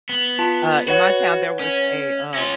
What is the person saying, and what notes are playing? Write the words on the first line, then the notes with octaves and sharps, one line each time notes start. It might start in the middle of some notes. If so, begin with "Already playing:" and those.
uh, in my town there was a, uh,
B3
F4 A5
F#4 B4 C#5 F#5
C#4
C#4 F4 A#6